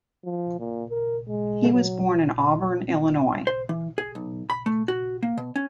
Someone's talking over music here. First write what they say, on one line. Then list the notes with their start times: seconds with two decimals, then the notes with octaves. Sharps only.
He was born in Auburn, Illinois.
0.25 F3
0.59 A#2
0.90 A#4
1.29 G#3
1.73 F#3
3.47 C5
3.69 E3
3.98 G#4
4.15 B1
4.50 B5
4.66 A3
4.88 F#4
5.23 A#3
5.38 B2
5.56 C#4